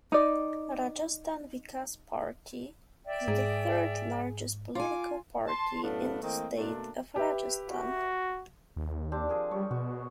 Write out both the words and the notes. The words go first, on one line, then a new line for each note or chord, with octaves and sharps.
Rajasthan Vikas Party is the third largest political party in the state of Rajasthan.
D#4 D5
D5 E5 G5
G#2 G#4
F4 G#5 D6
A5 C6
F#2 A2 A3 B3 D4 F5
E3 A3 A#3 C4 D#5 G5
B2 A3 A#3 D4
G4 B4 E5
F#4
D#2
C4 D4 G4
F3 G#4 A#4
G3 C#5
B2 F#4